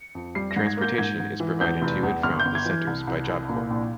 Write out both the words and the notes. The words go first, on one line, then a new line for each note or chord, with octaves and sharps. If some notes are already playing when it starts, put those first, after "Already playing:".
Transportation is provided to and from the centers by Job Corps.
Already playing: C#7
F2
G3 C7
A#6
G#2
G#6
A#3 G6
G#2 G#6
G#2
E3
E2 G6
F1
E2
G1 F6
G6
G1
G#6
E3
C2
C2
C2
A#2
A#1